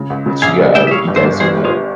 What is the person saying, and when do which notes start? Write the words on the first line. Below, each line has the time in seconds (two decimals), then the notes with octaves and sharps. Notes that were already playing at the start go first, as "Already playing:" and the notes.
that you, uh, you guys do that.
Already playing: C#3
0.10 C#2
0.26 C#3
0.42 A#1 F5 G#5
0.59 G3
0.75 G3 E5 G5
0.87 E5
0.91 G3 C#5 F5
1.08 G1
1.16 C5 E5
1.24 G1
1.40 G3 G#4 C5
1.57 G3
1.65 F4 G#4